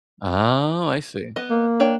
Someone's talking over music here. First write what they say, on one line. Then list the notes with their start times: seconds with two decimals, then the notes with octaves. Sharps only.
Oh, I see.
1.36 B3 D#5
1.50 A#3
1.80 D4 C#5 G5